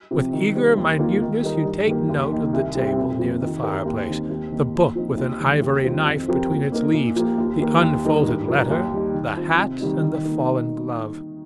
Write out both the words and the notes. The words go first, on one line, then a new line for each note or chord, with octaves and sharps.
With eager minuteness you take note of the table near the fireplace, the book with an ivory knife between its leaves, the unfolded letter, the hat and the fallen glove.
C3 F3 C4
D#3
G3 C4
D#2
D#3 A#3 F4 A#4
D#3
G3 D#4 A#4
G2
D#3 A#3 G4 A#4
D#2
D#3 A#3 D#4
C2
C3 G3 C4
F2
F3 A#3
D#3
C4 G4 A#4
D#2
D#3 C4
D#2
D#3 A#3 D#4
A#2
F3 C4 D#4
D#2
D#3 G3
D#2
D#3 G3 C4 F4
F2
F3 C4 G4 A#4
A#2
A#3 D#4 A#4
A#2
F3 A#3 G4 A#4
D#2
D#3 A#3 G4 A#4
D#2
D#3 G3 D#4 A#4
G2
F3 D#4 A#4
D#2
D#3 G3 D#4
D#3
C4 F4
C3
D#3 G3 D#4
D#3
A#3 D#4 A#4